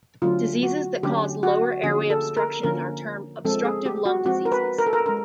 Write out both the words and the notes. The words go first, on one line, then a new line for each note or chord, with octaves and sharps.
Diseases that cause lower airway obstruction are termed obstructive lung diseases.
D3 F#3 A3 C#4 F4
F#4
D3 F#3 A3 C#4 G4
F#4
D3 F3 A#3 C#4 G#4
A4
A#4
D3 F3 A#3 C#4 A#4
F3 G#3 C4 A4
G#4
G4
F#4
F3 G#3 C4 F#4
A#4
B4
A#4
A4
A#4
G#3 C#4 A#4